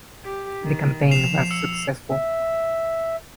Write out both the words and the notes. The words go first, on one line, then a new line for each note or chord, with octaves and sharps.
The campaign was successful.
G4
D#3
F3 C7 E7 F7
E6 C#7
E5